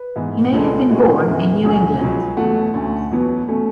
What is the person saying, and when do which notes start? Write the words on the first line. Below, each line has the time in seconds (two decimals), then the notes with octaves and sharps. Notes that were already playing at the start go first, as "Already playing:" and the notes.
He may have been born in New England.
Already playing: B4
0.16 G#2 E3 B3
0.52 C#2 C#3 G#3 A4
0.89 A2 G#3 C#4 F#4
1.27 F#2 E3 B3
1.63 D2 C#3 F#3 C#4 G#4
2.00 C#2 C#3 F#3 C#4
2.37 E2 B2 F#3 A3 F#5
2.74 D2 D3 A3 C#4
3.11 E2 B2 F#3 B3
3.47 B2 A3 C#4